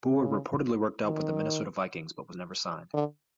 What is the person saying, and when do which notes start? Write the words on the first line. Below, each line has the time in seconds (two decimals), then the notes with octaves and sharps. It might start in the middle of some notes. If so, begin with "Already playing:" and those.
Bua reportedly worked out with the Minnesota Vikings, but was never signed.
0.11 C#3
1.05 D#3
2.93 D3